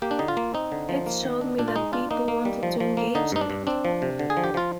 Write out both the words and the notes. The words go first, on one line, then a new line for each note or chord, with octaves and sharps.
It showed me that people wanted to engage in it.
A#3 G4
D4
D3 D#4
F4
A#3
C4 D#4
D3
F3
A#3
D#3
D4
A#2 D4
F4
G#3 D#4
D4 F4
A#3 D#4
A#3
G3
F3
F3
A#3
D3 D#4
G2 D#4
D4
G2
C4 D4
F3
C3
D3
G#4
F3
G4
F3 F4